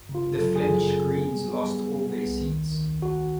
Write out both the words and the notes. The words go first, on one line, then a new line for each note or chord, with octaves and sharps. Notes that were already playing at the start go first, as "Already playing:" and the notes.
The Flemish Greens lost all their seats.
Already playing: G1
C#3
F4
G1
A4
F#3
F#2 G#4
C#3
C#3
F#3
B3
G3
B3
G3
B3
G3
B3
C2
D#3
D#2
D#3
D#2
D#3 F#4